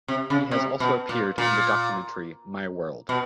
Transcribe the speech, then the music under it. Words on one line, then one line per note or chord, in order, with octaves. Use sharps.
He has also appeared in the documentary "My World".
C3
C#3
C3
B2
A#2
A#2
B2